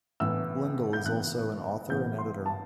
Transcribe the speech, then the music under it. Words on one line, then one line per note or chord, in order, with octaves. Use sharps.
Lindall is also an author and editor.
A2 E3 B3 E6
G6
A2 E3 B3 F#6
A2 E3 B3 G6
C6
A5